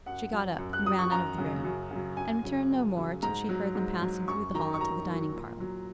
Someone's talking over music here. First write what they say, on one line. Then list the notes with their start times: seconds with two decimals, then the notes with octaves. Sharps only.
She got up, and ran out of the room; and returned no more, till she heard them passing through the hall to the dining parlour.
0.06 F#2 F#5
0.32 F#3
0.59 F#2
0.73 F#6
0.85 F#3 D#6
0.99 C#6
1.11 F#2 A#5
1.38 C#3 F#3
1.65 F#2
1.91 C#3 F#3
2.17 F#2 G#5
2.44 C#3 F#3
2.70 F#2
2.96 C#3 F#3
3.23 G#2 A#5
3.49 F#3
3.75 G#2
4.02 F#3
4.28 F#2 C#6
4.54 D#3 F#3 A#5
4.74 C#6
4.81 F#2 A#5
5.08 D#3 F#3
5.33 A#2
5.60 F#3